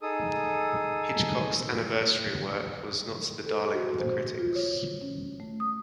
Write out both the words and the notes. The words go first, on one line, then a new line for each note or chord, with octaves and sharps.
Hitchcock's anniversary work was not the darling of the critics.
D#4 G#4 A4 D#6
A4
F#4
C5
F4
C#5
C#4
A3
D#6